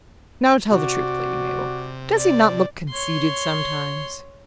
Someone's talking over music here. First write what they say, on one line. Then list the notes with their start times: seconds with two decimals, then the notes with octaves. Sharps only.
"Now tell the truth, Lady Mabel; does he not look conceited sometimes?"
0.71 C3 F#4 D5
2.16 D5
2.89 C#5 C6